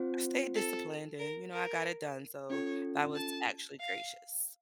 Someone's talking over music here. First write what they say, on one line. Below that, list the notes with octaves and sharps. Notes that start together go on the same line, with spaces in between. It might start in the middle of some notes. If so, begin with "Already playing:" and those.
I stayed disciplined and, you know, I got it done, so that was actually gracious.
Already playing: C4 F4 C5 F#5
A4
A#4
A#4
C#4 F4 A4 C#5
A5
F5